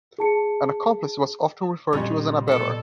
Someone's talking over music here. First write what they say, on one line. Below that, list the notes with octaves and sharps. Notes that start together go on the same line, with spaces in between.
An accomplice was often referred to as an abettor.
G#4 A5 C#7
F2 A#2 F#3 G3 C#4
B2 A4 D5